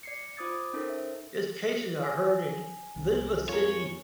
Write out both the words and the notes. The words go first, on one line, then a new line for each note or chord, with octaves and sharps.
Its cases are heard in Elizabeth City.
D5 C7 C#7
F4 C5 D6 D#6 G#6 A6
C#4 D#4 A4 A#4 C5
E5
G#5
C2
F2 F4 A4 A#4 C#5